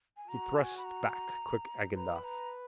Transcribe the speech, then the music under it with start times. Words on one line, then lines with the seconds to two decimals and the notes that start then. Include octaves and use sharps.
He thrust back quick Agendath.
0.17 G#5
0.28 F#4 A#5
0.56 G#5
0.78 B5
0.85 A#5
1.96 B4 A#5
2.16 B5
2.24 A#5